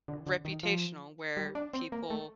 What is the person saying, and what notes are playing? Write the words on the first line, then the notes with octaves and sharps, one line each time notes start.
reputational where people
D3
D3
D#3
F3
G3
D4
C4
A#3
A3